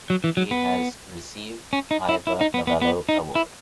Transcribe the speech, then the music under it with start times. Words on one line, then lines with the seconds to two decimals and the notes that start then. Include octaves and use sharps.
He has received Ivor Novello Award.
0.10 F#3
0.24 E3
0.37 F#3
0.51 B3
1.73 C#4
1.91 D#4
2.09 E4
2.27 E4
2.41 D#4
2.54 B3
2.67 B3
2.82 B3
3.09 D#4
3.35 E4